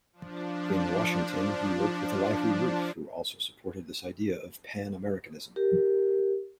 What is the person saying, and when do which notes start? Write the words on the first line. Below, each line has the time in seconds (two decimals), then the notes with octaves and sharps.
In Washington, he worked with Elihu Root who also supported this idea of Pan-Americanism.
0.13 F3 D4
5.56 G4 A#4